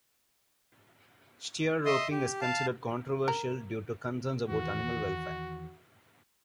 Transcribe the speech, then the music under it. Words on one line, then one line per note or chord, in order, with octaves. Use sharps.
Steer roping is considered controversial due to concerns about animal welfare.
D#5 E5 C6 D#6
G4
F5 A5
A#4
E2 D#3 E3 F#4